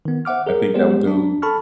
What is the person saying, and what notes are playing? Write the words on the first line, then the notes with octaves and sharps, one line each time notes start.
I think that would go
D#3 B3
C5 E5 F#5 D6 F6
G#4 A#4
G#3 B3 G4 C5 D5
D4
A4 A5 B5 C#6 F6